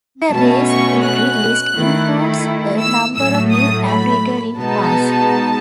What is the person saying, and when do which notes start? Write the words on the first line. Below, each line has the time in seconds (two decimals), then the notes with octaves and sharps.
The race entry list includes a number of new and returning cars.
0.32 B2 A3 C#4 A5
0.68 C#6
1.04 F#6
1.74 D#3 A3 E4
2.80 E6
3.15 A2 F#3 A3 E6
3.51 D#6
3.87 B5
4.57 B2 G#3 B3 D#4 A5